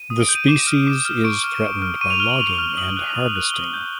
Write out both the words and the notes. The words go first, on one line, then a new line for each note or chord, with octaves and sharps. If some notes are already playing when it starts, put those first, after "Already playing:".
The species is threatened by logging and harvesting.
Already playing: D#7
D#6
D7
G6
D#7
D6 E7
F6
D6
F6
C#6 D7
F6
C#6
F6
C#6 D#7
F7
F6 G7
F#7
C#6 F7
F6
D#6 F#7
F#6
D#6
F#6
G7
D#6 F#7
G6